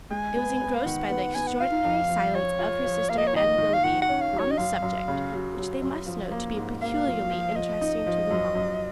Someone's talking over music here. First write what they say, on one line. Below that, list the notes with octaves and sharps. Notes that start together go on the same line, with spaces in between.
It was engrossed by the extraordinary silence of her sister and Willoughby on the subject, which they must know to be peculiarly interesting to them all.
G#3 G#5
B3
B3
F5
D#3 F#5
B3
B3 G#5
F#5
F4 F5
F2
F3
F4 C#5
F4
F3
A#3 F5
D#5
C#5
D#3 D#5
D#3
F5
D#3 F#5
F#5
C#4
F5
F#3
C#5
D#5
F#2 F5
F#2
C#3
F#3
F#3
F#2
F3
A#3
G#2
A#3 F5
F3
F3
F3 D#5
D#4
F3
F#2
F#2